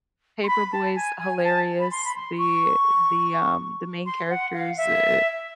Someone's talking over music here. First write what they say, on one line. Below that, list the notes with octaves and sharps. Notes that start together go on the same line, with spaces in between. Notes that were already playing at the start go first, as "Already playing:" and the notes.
Paper Boy is hilarious, the the, um the main characters, uh,
C6
B5
A5
G#5
G#5
G#5
A5
B5
C6
B5
C6
C#6
C6
F#5
F5
E5